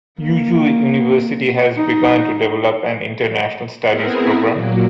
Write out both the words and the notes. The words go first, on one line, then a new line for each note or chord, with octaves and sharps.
Yeoju University has begun to develop an international studies program.
A#3
D#4
B3 C4 E4 G#4 A#4
A#2 F#3 A#3